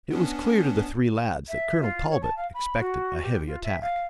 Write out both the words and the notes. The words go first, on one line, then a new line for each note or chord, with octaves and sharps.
It was clear to the three lads that Colonel Talbot expected a heavy attack.
B3 C#4 D4
E5
F4
C#5
A5
F5
B5
F#4
G4
F4
E5
F5